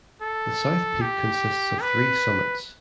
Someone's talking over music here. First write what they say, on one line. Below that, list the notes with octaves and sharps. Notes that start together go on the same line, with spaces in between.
The South peak consists of three summits.
A4
G4
B4